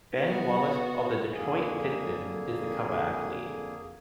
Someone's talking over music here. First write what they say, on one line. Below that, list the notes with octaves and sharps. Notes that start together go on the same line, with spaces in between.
Ben Wallace of the Detroit Pistons is the cover athlete.
B3 F#4
F2 D3 A#3 G#4 G#5